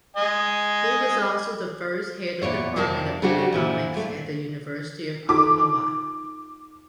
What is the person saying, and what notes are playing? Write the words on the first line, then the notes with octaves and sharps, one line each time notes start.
He was also the first Head of Department of Economics at University of Allahabad.
D#5 G#5
E2 A#2 C#5 D5
F2 C3 F3 A#4 D5 A5
C#3 A3 C4 D4 F#4 G4
A#2 E3 F3
A#2 A3
D#4 F4 A4 D6